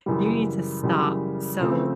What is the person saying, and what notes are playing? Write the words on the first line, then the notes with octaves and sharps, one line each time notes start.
you need to stop." So,
F#2 C#3 E3 G3
F#2 C#3 E3 G3
C#3 F3 A3 C4